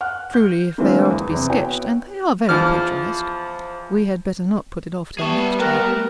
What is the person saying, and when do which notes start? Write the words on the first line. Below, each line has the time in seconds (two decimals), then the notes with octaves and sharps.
Truly, if they are to be sketched--and they are very picturesque--we had better not put it off till next year.
0.01 F#5 F6 F#6
0.31 F6 G6
0.78 D3 E3 G#3 A#3 C4 E4
1.11 E2
1.31 E2 C3
1.50 B3 E4 F#4 C#5 G5
2.49 E2 F3 D6 F6
5.19 G3 B3 G#4 E5 G5 A5 C#6
5.60 A3 A#4 G5 F#6 A#6